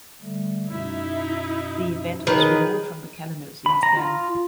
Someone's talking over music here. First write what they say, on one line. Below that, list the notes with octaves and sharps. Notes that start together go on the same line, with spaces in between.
The event was removed from the calendar since then.
D3 G3 A3
F#2 B2 D#4 E4
D#3 G#4 B4 C#5 D#5
B5
A#5
F4